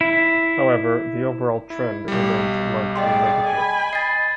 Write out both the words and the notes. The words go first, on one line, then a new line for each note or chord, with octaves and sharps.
However, the overall trend remains largely negative.
E4
E4
B1 G3
G#4 D5 D#5 G5 C6
G#5 B5
D#5 A6 C7